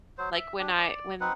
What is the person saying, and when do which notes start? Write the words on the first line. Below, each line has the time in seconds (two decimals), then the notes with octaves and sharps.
like, when I when
0.18 F#3 C5
0.32 E5
0.59 D4 G4
0.77 D5
1.20 C4 D#4 B4 F#5